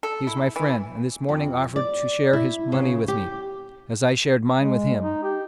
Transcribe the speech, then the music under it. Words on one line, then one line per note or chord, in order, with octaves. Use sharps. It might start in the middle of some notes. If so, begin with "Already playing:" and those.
He's my friend, and this morning offered to share his money with me, as I shared mine with him.
A4
E4
E3
F2
D5
E4
C#3
G4
G#3
D#4
G4